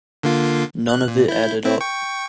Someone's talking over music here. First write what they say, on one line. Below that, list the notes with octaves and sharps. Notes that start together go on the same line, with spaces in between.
None of it added up.
D3 A#3 F4
F#6
A#2
E4 G6
C4 E4
G5 C#6